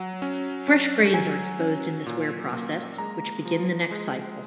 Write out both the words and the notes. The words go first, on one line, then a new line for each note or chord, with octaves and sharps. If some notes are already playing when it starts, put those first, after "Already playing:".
Fresh grains are exposed in this wear process, which begin the next cycle.
Already playing: F#3 F#5
C#4
C#4
F#3 G#5
C#4
A#2
A#3
G#3 A#5
F3
G#3